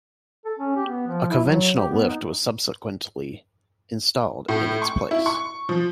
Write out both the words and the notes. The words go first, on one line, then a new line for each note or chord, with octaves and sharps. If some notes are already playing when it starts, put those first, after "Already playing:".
A conventional lift was subsequently installed in its place.
A4
C#4
G4
B3
F3
E4
F#3
G4
B3
D#4
A2
C#6
E4
C#6
F3